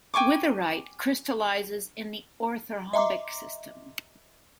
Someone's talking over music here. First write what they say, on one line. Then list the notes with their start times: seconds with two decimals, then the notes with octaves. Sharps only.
Witherite crystallizes in the orthorhombic system.
0.14 G5 G#5 C#6 D6
2.93 D#5 E5 A#5 C6 D6